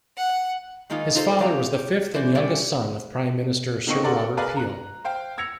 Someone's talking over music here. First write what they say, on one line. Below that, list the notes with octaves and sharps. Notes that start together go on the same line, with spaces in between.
His father was the fifth and youngest son of Prime Minister Sir Robert Peel.
F#5
D#3 G#3 A#3 D#4 F4
D#4 F4 A4 B4 C5
E2 C4 F#4 D5 F5 A#5
G4
E3 C#4 C5 D5
G3 C#4 G4 C#5 D5 E5
D3 A#3 C4 D#4 C#6
A4 A#4 D5 F#5 C6
G#4 A#4 B4 D5 F5
A#5 F#6
C5 F5 G5
E6 G#6 A#6 C#7 F7